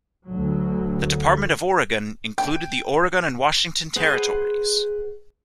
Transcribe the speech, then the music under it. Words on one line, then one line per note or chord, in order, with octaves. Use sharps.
The Department of Oregon included the Oregon and Washington Territories.
D2 F#3
G5
G#4 B4 C5 F#5